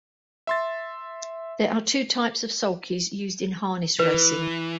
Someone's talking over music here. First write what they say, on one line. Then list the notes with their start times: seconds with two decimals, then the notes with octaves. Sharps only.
There are two types of sulkies used in harness racing.
0.47 E5 C6 A6
3.99 E3 B4